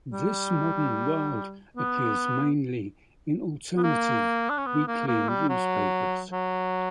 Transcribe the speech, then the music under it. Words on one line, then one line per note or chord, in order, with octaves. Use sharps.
"This Modern World" appears mainly in alternative weekly newspapers.
G3
B3
B3
A#3
D4
C#4
B3
A#3
A#3
G3
F#3
F#3